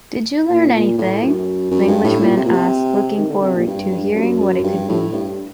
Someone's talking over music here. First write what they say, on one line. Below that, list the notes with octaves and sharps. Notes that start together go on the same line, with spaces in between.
"Did you learn anything??", the English man asked looking forward to hearing what it could be.
A#2
A#2
A2
F#2
F#2
G2
A2
A#2
C3
A#2
C3
D#3
D3
C3
A#2
G2
G2
F#2
F#2
G2
A2
G2